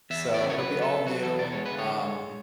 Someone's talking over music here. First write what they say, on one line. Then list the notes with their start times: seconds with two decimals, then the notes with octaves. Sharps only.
So, it'll be all new, um
0.10 E2 E5
0.26 B3
0.34 D5
0.42 C#3
0.50 C#5
0.58 F#3 B4
0.75 B3
0.82 A4
0.91 B3
1.06 F#3 F#4
1.23 E2 A4
1.38 B3 D5
1.52 G#3 C#5
1.65 B4
1.71 D3
1.78 C#5
1.86 G#3
2.02 G#3